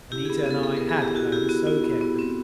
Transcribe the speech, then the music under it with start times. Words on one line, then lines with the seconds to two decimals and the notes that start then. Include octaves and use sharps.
Anita and I had planned so carefully.
0.12 E4 G4
0.25 G#4
0.30 B3
0.38 G#4
0.46 B3 A4
0.63 B3 G#4
0.77 B3 A#4
0.89 G#4
0.98 B3 G4
1.15 E4 F#4
1.32 E4 G4
1.49 B3 F#4
1.67 E4
1.84 B3
2.01 B3
2.19 C4